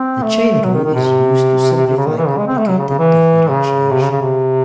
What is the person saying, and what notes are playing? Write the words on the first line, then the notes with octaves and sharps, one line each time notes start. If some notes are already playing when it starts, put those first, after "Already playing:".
The chain rule is used to simplify complicated differentiation.
Already playing: C4
A3
F#3
D#3
D#3
C3
C3
C#3
D#3
E3
C#3
G#3
C4
A3
F#3
C#3
C#3
E3
C#3
C3
C#3
C#3
C3